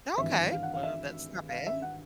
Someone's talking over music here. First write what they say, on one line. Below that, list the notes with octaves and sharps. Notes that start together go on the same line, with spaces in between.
Okay, well, that's not bad
G#1 G2 E3 E5
F5
F#5
F5
E5
F5
E5
F#5